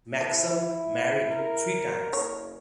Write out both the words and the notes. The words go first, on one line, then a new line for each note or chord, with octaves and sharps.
Maxam married three times.
F3 E4
A#4
F#1 C#5